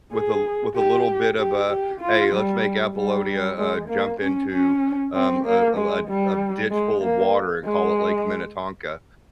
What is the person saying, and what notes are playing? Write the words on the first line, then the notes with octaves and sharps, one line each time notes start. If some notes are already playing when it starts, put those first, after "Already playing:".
with a with a little bit of a, "Hey. Let's make Apollonia, uh, jump into, um, a a l a ditch full of water and call it Lake Minnetonka,"
G#4
G4
G4
G4
F4
G3
G3
G#3
A#3
C#4
C#4
C4
A#3
G#3
G3
G#3
A#3
G#3